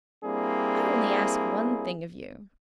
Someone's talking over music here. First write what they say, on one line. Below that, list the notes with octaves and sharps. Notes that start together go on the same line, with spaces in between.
I only ask one thing of you.
G3 A#3 C4 D4 E4 G#4